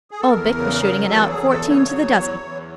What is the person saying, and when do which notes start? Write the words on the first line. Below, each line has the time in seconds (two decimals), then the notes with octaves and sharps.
Old Bick was shooting it out fourteen to the dozen.'
0.11 G#4
0.21 A4
0.31 E2 A#4
0.57 C#3
0.84 F#3
1.09 E2 A4
1.29 G#4
1.36 E2
1.50 A4
1.62 C#3
1.69 C#5
1.89 F#3
2.15 E2
2.41 E2